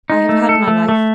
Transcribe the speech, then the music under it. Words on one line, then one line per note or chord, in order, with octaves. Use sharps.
I have had my life.
D#4
A3
A4
A3
A3